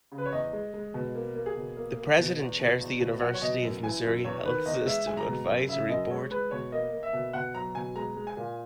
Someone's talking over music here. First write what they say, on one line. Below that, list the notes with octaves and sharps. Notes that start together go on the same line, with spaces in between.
The president chairs the University of Missouri Health System advisory board.
C#3
B4
C#5
E2 D#5
G#3
G#3
B2
A#3
A#3
G#4
B2
A#3
A#3
B2
E2
B2
E2
B2
F#3 F#5
C#5
B2 D#5
F#2
E3 G#5
F#2
E2 C#5
D#3 B4
E2 D#5
G#3 E5
G#3 G#5
A#5
B2
F#2
C#3 E5
F#2 D#5
G#3 C#5
G#3 B4
B2 C#5
A#3 D#5
A#3
E5
B2
B2 F#5
F#3 A#5
B2 G#5
G#3 A#5
G#3
G#5
A#2